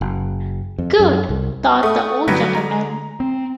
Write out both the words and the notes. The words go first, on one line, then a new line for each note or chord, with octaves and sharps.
"Good," thought the old gentleman.
F#1
F2
F#2
C2
A3 D#6
D3 F#3 G3 B3
A#5
C4